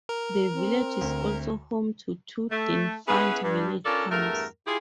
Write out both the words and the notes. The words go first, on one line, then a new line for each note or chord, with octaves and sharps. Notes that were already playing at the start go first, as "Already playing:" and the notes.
The village is also home to two defunct village pumps.
A#4
C4
D2
A3
B3 C#4 E4 G#4 B4
G2
C#4 D4 F4 A4 A#4 D5
E2 G2 A3 A#4
E4 F4 G4 G#4